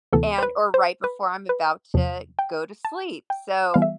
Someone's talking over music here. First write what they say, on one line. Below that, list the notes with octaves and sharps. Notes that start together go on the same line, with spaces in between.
and or right before I'm about to go to sleep. So,
D2 C3 E3 B3 A4
C5
B4
C5
B4
B4
E2 C3 F3
G5
A5
G5
E3 G3 B3 F5
E5